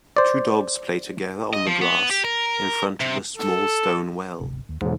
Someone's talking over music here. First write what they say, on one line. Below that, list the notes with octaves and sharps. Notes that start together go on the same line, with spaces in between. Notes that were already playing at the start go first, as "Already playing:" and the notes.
Two dogs play together on the grass in front of a small stone well.
C5 D5
D#5
F3
B3
G4
A#4
C3
A4
D1 G1 C3
D#2
B1 E2 G#2 E3